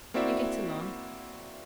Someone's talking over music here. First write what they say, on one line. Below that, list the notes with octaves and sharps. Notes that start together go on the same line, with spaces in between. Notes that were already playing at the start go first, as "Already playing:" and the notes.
You get along.
A#3 C4 E4 F#4 D5 E5